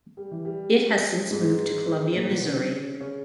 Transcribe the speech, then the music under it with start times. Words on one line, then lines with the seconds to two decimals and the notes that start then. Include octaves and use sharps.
It has since moved to Columbia, Missouri.
0.17 G3
0.31 E3
0.45 G3
1.31 G#2 G#3
2.15 A#2 A#3
2.30 B2 B3
2.44 C#3 C#4
3.01 C#3 C#4